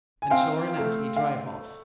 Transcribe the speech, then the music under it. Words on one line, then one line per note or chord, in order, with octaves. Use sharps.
And sure enough, he drove off.
G#5
C4 F5 G5
A3
F5